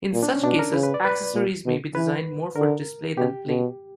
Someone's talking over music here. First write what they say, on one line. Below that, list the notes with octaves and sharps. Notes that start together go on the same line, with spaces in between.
In such cases accessories may be designed more for display than play.
A#2
D4
C#4
B2 D4
A#4
C#3 B4
B4
D5
B4
A#2
B2
E3 B4
D3 A#4
B2 G4
B2